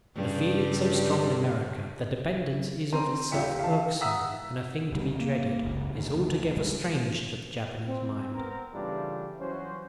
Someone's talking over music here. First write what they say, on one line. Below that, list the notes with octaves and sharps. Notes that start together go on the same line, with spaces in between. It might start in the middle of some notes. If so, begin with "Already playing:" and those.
The feeling, so strong in America, that dependence is of itself irksome and a thing to be dreaded, is altogether strange to the Japanese mind.
G2 C#3 G3
C4 A#5 C6 D#7
D#1 F4 G4 E5 C#7
F5 A5
E5 F#5 A#5 D#6 E6 B6
D#1 B2 D3 G3
A#3
F#1 C#2
D2 D#3
B2 D3 G3 G#3
C4
B3 C4 A#4
C#3 E3 G3 A3 D4 F4
E3 F#3 C#4 F#4 C5